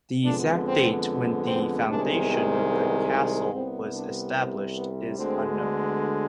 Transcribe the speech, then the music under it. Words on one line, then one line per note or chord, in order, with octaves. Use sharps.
The exact date when the foundation of the castle was established is unknown.
F2 D3 G#3 B3 D4
C4
C4
C2 C3 D#3 G#3 B3 D4
C4
B3
C2 C3 G3 B3 C4
D4
C4
B3
D2 D3 G#3 B3 C4